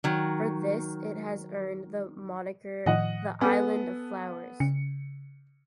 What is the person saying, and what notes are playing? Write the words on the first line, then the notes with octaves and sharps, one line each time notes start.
For this it has earned the moniker the "island of flowers".
D#3 F#3
A2 D#3 F3 D#5 F#5
B3 A4 G#5
C#3 C#7